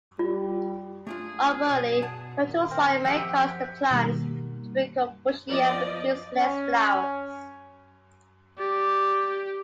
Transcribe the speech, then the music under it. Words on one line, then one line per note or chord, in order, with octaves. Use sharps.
Overly fertile soil may cause the plants to become bushy and produce less flowers.
G3 F4
A3 D4 F4 G#4
B2 C#5 D5
F#5 A5
A#2 D#3
C4 A#4
F3 G4 E5 F#5
B2 D#3 G3 A#3
F3 B3 D5 D#5
C#4
G4 D5